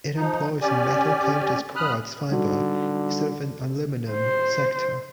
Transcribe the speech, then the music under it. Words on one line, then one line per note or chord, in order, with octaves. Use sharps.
It employs a metal-coated quartz fiber instead of an aluminum sector.
F3 D#4
C#4 G4 D5 G#5
F#2 B5 D#6 F6 F#6
D3 G3 D#4 F#4
C5